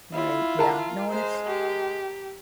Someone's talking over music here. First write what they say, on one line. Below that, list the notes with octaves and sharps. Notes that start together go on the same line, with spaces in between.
Right, yeah. No, and it's
E4 F4
A#4 A5 A#5
G#3 C5
G4